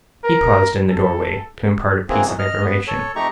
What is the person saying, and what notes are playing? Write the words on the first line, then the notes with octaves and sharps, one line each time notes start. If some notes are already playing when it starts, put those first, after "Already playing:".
He paused in the doorway to impart a piece of information.
A#4
A4
C#3 E3 A#3 C4 G#4
E2 G#2 B2 E3 F#3
D#5 F6
B3
A4 C#5
F2 A3 D#4 G4 A#5 C#6